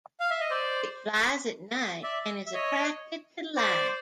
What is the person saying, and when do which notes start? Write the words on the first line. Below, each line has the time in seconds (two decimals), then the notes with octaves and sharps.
It flies at night and is attracted to light.
0.20 F5
0.30 E5
0.41 D#5
0.50 C5 D5
2.03 D5 E5
2.46 E5
2.53 C#5 D#5
3.56 C5 D5